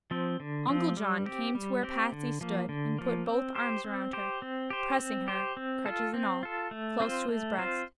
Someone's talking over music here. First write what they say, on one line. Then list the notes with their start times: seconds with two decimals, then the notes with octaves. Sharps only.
Uncle John came to where Patsy stood and put both arms around her, pressing her--crutches and all--close to his breast.
0.11 F3 C4
0.40 D3
0.68 F3 C4
0.97 G3
1.26 C4 G4
1.55 G3
1.83 C4 G4
2.12 D3
2.41 F3 A#3
2.69 D3
2.99 F3 A#3
3.26 C4
3.55 G4 C5
3.85 C4
4.13 G4 C5
4.42 C4
4.70 G4 C5
4.99 C4
5.28 G4 C5
5.57 C4
5.86 F4 A4
6.14 C4
6.43 F4 A4
6.71 A3
7.00 C4 F4 C5
7.28 A3
7.58 C4 F4 C5